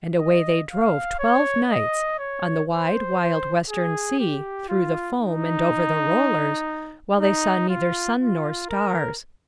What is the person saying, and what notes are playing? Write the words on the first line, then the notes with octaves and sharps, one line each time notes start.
And away they drove twelve nights, on the wide wild western sea, through the foam, and over the rollers, while they saw neither sun nor stars.
D#5
F5
C#5
D#5
C#5
C5
G#4
G4
F4
D#4
D#4
F4
F4
A#4